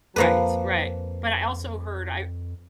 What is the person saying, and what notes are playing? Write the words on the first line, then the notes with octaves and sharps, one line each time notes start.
Right right. But I also heard I
F2 F3 A#3 B4